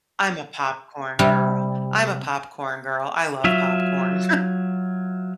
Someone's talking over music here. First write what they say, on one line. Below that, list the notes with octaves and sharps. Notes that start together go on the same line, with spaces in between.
I'm a popcorn girl. I'm a popcorn girl. I love popcorn.
C3 G3
F#3 F4 E5